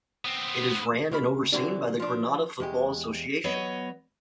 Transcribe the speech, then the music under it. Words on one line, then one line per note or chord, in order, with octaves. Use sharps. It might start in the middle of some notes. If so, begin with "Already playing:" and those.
It is ran and overseen by the Grenada Football Association.
B3 C4
C#2 A#4 B5
D3 E3 F#3 G3 C4 D4
F3 D4
E2 G#3 G4
F#3 B3 C#5 D#5